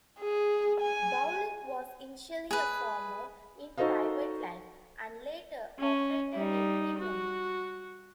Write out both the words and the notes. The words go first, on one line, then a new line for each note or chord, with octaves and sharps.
Boulic was initially a farmer in private life, and later operated a creamery.
G#4
G#5
G#4 B4
D#4 F#4 A4 C5 D#5 F5
C#4
G3 D#4
F#4